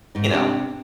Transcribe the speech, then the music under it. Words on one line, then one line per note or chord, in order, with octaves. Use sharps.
you know
G#2 D#4
C3 C4 D4 G4